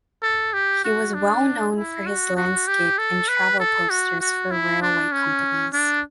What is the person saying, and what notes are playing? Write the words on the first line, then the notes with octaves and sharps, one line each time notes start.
He was well known for his landscape and travel posters for railway companies.
A4
G4
F#4
D4
E4
F#4
F#4
G4
A4
B4
A4
F#4
F#4
E4
D4
C#4
D4